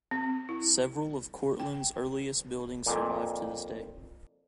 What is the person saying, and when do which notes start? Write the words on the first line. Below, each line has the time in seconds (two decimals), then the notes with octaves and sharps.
Several of Courtland's earliest buildings survive to this day.
0.11 C4
0.49 E4
1.60 G5
2.86 F2 A#2